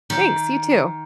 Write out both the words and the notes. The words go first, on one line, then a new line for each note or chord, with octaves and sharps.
Thanks you too.
D#3